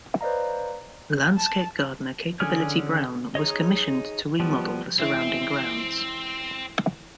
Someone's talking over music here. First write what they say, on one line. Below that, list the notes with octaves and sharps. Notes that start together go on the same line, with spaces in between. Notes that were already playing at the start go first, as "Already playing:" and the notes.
Landscape gardener Capability Brown was commissioned to remodel the surrounding grounds.
B4 C5 D5 D#5 F5 A#5
A5
D3 C#4 G#4 F6
D#4 G#4 C#5 D#5
F3 G3 B3
E3 G#3 C4 C#4